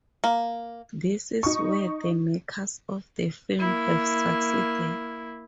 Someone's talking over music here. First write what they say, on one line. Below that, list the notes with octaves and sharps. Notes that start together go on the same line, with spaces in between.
This is where the makers of the film have succeeded.
A#3
D#4 C#6
A#3 E4